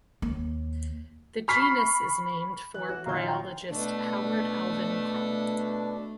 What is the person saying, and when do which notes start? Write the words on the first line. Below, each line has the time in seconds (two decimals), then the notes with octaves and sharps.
The genus is named for bryologist Howard Alvin Crum.
0.22 D#2
1.48 B5 C#6 F6 B6 C7
2.74 E3 F#6
2.89 F#4
3.06 A#1 D#3 C#4 F4 F5 A#5 G6
3.28 G5 A#5
3.71 B2 A3 D4